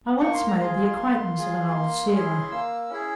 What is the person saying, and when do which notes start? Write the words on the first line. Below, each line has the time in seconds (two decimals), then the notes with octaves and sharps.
I once made the acquaintance of an old sealer.
0.20 A#3 C#6
0.34 C6
0.48 A#5
0.59 F4 G#4 C6
0.97 A#3
1.36 F4 G#4
1.74 A#3
2.12 C#4 E4 G#4
2.51 A#3 E6
2.89 C#4 E4 G#4